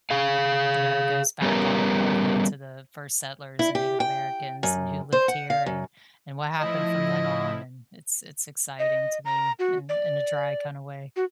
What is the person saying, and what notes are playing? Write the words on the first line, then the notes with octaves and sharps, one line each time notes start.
you know, it goes back all all the way to the first settlers and Native Americans and who lived here and and what happened from then on, and it's it's exciting to me in in a dry kinda way.
G#4 F5
G3 B3 C#4 A#4
E4
G4
G5
F#2
C5
F#5
F5
F#2
A2 F3 E4 D#5
D#5
A#5
F#4
D5
F#4